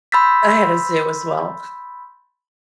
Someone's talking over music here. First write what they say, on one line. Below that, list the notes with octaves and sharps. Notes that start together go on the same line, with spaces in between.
I had a zoo as well.
B5 C6 E6 G6 A6 B6